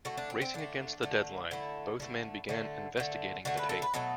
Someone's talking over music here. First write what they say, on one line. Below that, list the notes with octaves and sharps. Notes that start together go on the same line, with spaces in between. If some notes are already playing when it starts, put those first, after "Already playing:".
Racing against the deadline, both men begin investigating the tape.
D3 A3 F#4
D4
C4
C4
D3 A3 D4
D3 A3
D3 A3 E4
D3 A3
D3 A3
D3 A3
D3 A3 F#4
B4
A4
B4
B2 F#3 A3 A4